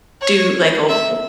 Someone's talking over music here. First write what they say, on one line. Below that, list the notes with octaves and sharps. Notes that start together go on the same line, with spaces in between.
do, like, o b
C#5
E5